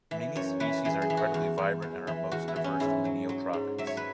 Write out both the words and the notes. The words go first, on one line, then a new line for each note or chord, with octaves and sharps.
Many species are incredibly vibrant and are most diverse in the neotropics.
E3
F#2 C#5
E3 B4
E3 G#4
G#4
E3
F#4
E2
E2
E2
E3
E2 F#4
E4
E3
C#4
G#2 E4
F#3
F#3
G#2
F#3 E5
C#5
B4